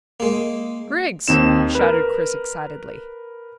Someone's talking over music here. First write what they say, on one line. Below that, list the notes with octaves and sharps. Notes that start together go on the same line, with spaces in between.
"Griggs!" shouted Chris excitedly.
G#3 A#3
D#2 C4 D#4 E7
A#4 B4